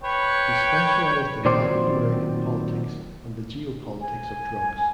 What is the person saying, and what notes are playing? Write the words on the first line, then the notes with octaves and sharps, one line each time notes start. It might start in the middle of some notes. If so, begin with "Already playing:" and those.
He specialized in Latin American politics and the geopolitics of drugs.
B4 C#5 G5
A#2 D#3 F#3 C4 C5 D5
G#5